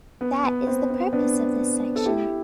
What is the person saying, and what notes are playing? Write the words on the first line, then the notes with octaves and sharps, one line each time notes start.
That is the purpose of this section.
B3
B3
C4
C4
B3 D4
A4
E4 G4